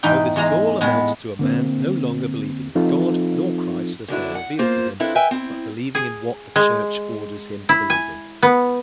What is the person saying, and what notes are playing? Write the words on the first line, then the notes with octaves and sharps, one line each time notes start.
So that it all amounts to a man no longer believing in God nor Christ, as they are revealed to him, but believing in what the Church orders him to believe in.
E2 G#2 D#4 G5
E2 G#3 A#5
A2 G#3 B3
D3 A#3 C4
F3 C4 D#4 F4 A4
D3 F#3 D4 E4
F#5
A#3 F4 C5
F3 C4 D4 E4 A4 B4
B4 E5 G5 G#5
C4 E4
G#4
G#3
E4
G#5
B3